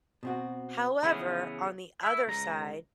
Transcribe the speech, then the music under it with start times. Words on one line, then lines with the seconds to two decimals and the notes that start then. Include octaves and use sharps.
However, on the other side,
0.23 B2 C4 F#4
1.03 C#3 E3 B3 B5
2.03 E4 E5
2.27 C#2 A#5